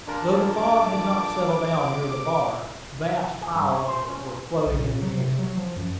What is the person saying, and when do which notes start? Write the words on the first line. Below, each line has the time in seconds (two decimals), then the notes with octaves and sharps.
Though the fog had not settled down near the bar, vast piles of it were floating in the air.
0.07 A#2 D4 F4 A#4
0.57 G#3 A3 G#4 D6
3.41 G#4
3.55 G2
3.70 C#4
3.88 C5
4.08 C#4
4.66 B1
4.79 A#2
5.02 F#3
5.18 C3
5.39 F#3
5.57 F3
5.77 F#2